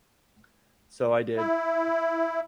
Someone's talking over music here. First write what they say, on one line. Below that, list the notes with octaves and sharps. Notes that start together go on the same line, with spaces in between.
So I did.
E4